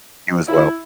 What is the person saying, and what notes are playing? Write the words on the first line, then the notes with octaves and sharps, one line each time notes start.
You as well.
E4